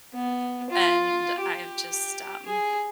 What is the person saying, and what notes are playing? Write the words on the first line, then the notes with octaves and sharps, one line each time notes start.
and I have just, um
B3
F4
G4
G#4